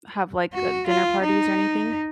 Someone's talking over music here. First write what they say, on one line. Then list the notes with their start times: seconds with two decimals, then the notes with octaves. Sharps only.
have, like, a dinner parties or anything?
0.54 F#4
0.87 F4
1.22 D#4